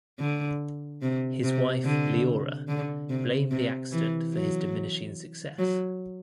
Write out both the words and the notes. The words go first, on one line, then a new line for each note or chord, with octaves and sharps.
His wife, Leora, blamed the accident for his diminishing success.
D3
C3
C3
D3
D3
C3
C3
E3
F#3
F#3